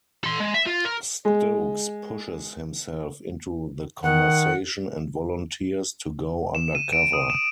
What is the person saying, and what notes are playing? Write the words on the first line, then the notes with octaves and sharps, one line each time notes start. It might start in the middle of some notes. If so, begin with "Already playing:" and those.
Stokes pushes himself into the conversation and volunteers to go undercover.
A4 C6
G#3
E5
F4
A#4
G#3
D#3 F#5
E7
D#7
D7
D#6
E7